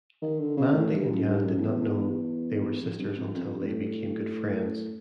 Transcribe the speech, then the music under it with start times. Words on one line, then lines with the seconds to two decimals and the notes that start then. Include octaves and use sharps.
Mandy and Yan did not know they were sisters until they became good friends.
0.22 D#3
0.40 D3
0.57 C#3
0.74 A2
0.92 G2
1.09 F#2
1.27 G2
1.43 F#2
1.60 E2
2.82 F2
3.00 G2
3.17 F2
3.35 F2
3.61 A2